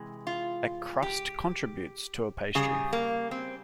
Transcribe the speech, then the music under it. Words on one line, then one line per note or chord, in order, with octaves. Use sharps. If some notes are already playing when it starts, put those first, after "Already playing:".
A crust contributes to a pastry.
Already playing: C3 E3 G#3
F4
G4
C#3 G3 G#4
A#3
C4